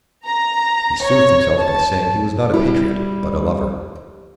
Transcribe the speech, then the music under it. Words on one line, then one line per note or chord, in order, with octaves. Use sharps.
He soothed himself by saying he was not a patriot, but a lover.
A#5
C#5
A5
G3 E4